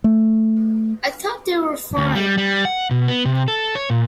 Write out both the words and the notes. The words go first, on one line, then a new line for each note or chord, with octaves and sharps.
I thought they were fine.
A3
D2
G3
G3
F#5
B2
B3
C3
A4
C#5
A#2